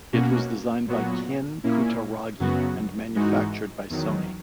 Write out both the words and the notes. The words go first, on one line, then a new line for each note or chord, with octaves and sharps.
It was designed by Ken Kutaragi and manufactured by Sony.
B2 A#3 C#4 F#4
A#2 F#3 B3 F#4
A#2 A#3 C#4 E4
F#2 C#3 F#3 B3 F#4
G#2 E3 G#3 D#4 F#4
E2 D#3 F#3